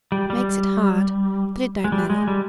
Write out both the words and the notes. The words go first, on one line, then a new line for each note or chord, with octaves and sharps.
Makes it hard; but it don't matter.'
G3
G3
G#3
G3
G#3
G3